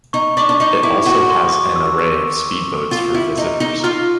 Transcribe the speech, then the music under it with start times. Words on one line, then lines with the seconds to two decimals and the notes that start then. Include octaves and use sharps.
It also has an array of speed boats for visitors.
0.13 D#4 C#6
0.37 D4 C#6
0.49 D4
0.55 C#6
0.60 D#4 D6
0.83 E4 D6
1.06 F#4 C#6
1.30 C6
1.48 D6
1.52 C#6
1.76 E6
2.91 F4
3.14 E4
3.38 D#4
3.60 D#4
3.84 F4 F6